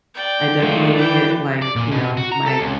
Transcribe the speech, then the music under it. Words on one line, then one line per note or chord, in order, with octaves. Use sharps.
I definitely hit, like, you know, my
D5 G5
G#3 A3 F4
E3 D5 G5
D5
A#2
B2
F#4
A#5
A4
C#2